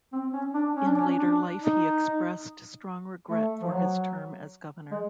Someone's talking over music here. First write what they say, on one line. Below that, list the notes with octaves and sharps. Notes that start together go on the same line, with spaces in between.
In later life he expressed strong regret for his term as governor.
C4
C#4
D4
C#4
D4
C#4
D4
D#4
A3
F3
F#3
G#3